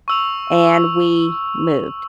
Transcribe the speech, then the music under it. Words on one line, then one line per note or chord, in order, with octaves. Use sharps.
and we moved.
C#6 E6 F7